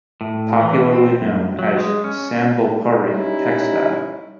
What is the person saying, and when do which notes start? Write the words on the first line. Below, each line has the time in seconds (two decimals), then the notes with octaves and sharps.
Popularly known as Sambalpuri Textile.
0.21 A2
0.61 E3
0.93 C4
1.21 F#2
1.59 F#3
1.77 G#3
2.04 C#4
3.06 G3 C#4 D#4 E4